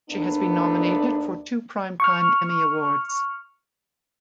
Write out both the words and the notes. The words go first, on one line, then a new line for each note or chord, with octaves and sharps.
She has been nominated for two Primetime Emmy awards.
D#2 A3 B3 D4
C#6 F6